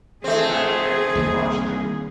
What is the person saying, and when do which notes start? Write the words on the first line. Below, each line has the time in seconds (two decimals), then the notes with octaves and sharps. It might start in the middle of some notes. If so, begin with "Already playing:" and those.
Yeah, are you gonna wash them?
0.24 A3 C4 G#4
1.15 C2 D#3 A#3